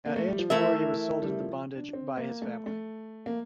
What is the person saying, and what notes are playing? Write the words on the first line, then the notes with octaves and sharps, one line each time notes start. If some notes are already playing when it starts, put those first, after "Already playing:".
At age four, he was sold into bondage by his family.
A#3
A3
G3
F3
E3 A3 E4 A#4 E5
G3
F3
D4
C4
A#3
A3
A3
A#3